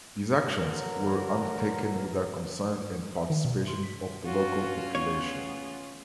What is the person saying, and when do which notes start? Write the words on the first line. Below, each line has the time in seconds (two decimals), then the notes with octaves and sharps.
These actions were undertaken without consent and participation of the local population.
0.55 D3 E3 F#3 A#4
3.17 E5
3.30 D#3
3.45 B2
3.68 C6
3.83 B6
4.25 C#4 F4 F#4
4.95 A3 B3 C#5